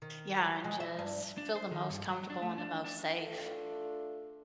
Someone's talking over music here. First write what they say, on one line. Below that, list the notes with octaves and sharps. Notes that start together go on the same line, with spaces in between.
Yeah, and just feel the most comfortable and the most safe.
D#3
G#3
E5
G2
D4
C5
D#3
G2
F#3
D4
A3
D4
D4
A3 D4 F4 A4